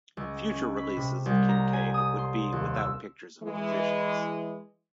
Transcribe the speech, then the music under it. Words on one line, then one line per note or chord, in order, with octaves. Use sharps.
Future releases of Kincade would be without pictures of musicians.
C#2
C#4
B5
C3
C2
A#5
G#5
D#6
C6
D#2
E6
E3 G#3